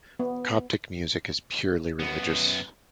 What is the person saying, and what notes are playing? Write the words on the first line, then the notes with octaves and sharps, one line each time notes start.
Coptic music is purely religious.
B3
F#2 B3